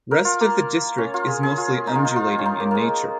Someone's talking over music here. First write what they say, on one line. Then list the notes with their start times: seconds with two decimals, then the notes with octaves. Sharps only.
Rest of the district is mostly undulating in nature.
0.11 A#4
0.25 F4
0.41 A#3
0.98 C#4
1.14 F4
1.27 G#4
1.43 G#4
1.58 F4
1.87 D#4
1.95 F4
2.05 D#4
2.16 F4
2.38 C#4
2.46 D#4
2.60 A#3
2.71 G#3 A#3